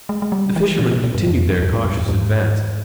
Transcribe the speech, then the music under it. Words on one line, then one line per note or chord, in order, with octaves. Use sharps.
The fishermen continued their cautious advance.
G#3
G#3
G3
E3
A#2
C3
A#2
G2
F2
F2
G2
G#2
G2
E2
G#2